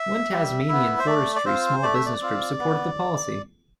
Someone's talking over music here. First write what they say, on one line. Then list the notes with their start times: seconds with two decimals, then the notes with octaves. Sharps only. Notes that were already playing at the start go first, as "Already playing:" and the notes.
One Tasmanian forestry small business group supported the policy.
Already playing: E5
0.31 G3
0.69 B3 E4
0.99 C5
1.07 A3 D5
1.36 D5
1.45 C4 F4 C5
1.83 A3 D5
1.94 E5
2.06 D5
2.22 C4 F4
2.60 B3